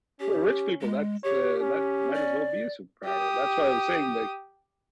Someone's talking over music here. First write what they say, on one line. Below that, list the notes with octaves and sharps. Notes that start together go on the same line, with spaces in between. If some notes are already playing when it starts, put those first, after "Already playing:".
For rich people, that's the that might as well be a superpower. That's why I was saying, like
C#4 G4
G#3
G4 C#5
C#4
D5
G4 D#6